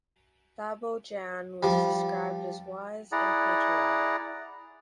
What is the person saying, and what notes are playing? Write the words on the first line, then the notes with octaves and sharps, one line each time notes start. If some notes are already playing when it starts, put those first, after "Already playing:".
Babo Jan was described as wise and patriotic.
F3 G3
E4 G#4 D5 F#5 A#5